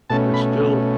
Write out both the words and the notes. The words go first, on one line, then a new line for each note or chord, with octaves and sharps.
and still
B2 A3 C#4 A5
B5